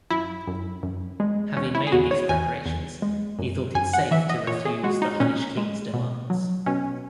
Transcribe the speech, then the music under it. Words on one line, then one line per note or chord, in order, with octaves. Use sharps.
Having made these preparations, he thought it safe to refuse the Hunnish kings' demands.
F#2 E4
F#2
F#2
G#3
E2 C#4
E4
G#4
E2 F#4
C#5
E2 G#5
E2
G#3
F#2
F#2 G#5
F#5
E3 E5
D#5
A#2 C#5
G#4
G#3 F#4
D#4
A#2 C#4
G#3
B2
F#3
B2 C#4